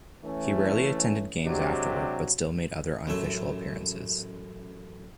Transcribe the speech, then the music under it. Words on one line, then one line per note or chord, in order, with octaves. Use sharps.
He rarely attended games afterward, but still made other unofficial appearances.
E3 A3 C#4
C3 F#3 G#3 D4 G4
A1 F#2 A3 E5